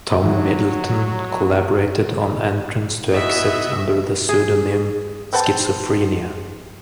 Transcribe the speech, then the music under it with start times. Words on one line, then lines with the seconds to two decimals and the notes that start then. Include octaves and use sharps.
Tom Middleton collaborated on "Entrance to Exit" under the pseudonym "Schizophrenia".
0.22 F2 D#3 F#3 E5
3.14 E3 B3 F#4 D#5 E5
4.29 G#4
5.33 C4 B4 F#5 A5